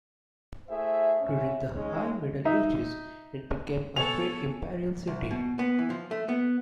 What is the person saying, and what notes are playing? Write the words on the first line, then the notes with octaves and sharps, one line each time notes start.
During the High Middle Ages, it became a Free Imperial City.
A3 E4 G#4 C5 E5
G#2 C#4 E5
G#3 C#4 D#4
D#4 E5
B3 A4 C#5 F#5 G#5 F7
C2
B2
B3
E3
F3
A3
B3